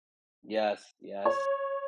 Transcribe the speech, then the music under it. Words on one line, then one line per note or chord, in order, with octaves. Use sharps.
Yes, yes.
C#5